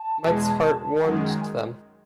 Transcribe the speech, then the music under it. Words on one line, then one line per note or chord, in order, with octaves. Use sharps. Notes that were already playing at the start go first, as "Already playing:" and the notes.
Mike's heart warmed to them.
Already playing: A5
E2 B2 G#3
F#2 D#3 G#3 F#5
G#5